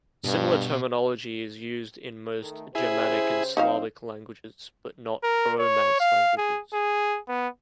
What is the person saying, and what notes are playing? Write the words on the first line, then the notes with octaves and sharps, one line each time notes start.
Similar terminology is used in most Germanic and Slavic languages, but not Romance languages.
G2 B2
D#3 A3
C#3 E4 G4 G#4 C5
F3 C4 D#4 C5 F5
A#4
C#5
F5
G#4
G#4
B3